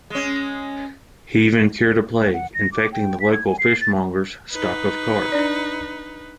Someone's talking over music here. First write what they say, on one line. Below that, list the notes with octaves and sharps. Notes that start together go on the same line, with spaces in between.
He even cured a plague infecting the local fishmonger's stock of carp.
G#3 C#4
F#5
A#6
D6
G5
B6
G#6
G#5
C7
A6
D#4 B4
D4 D5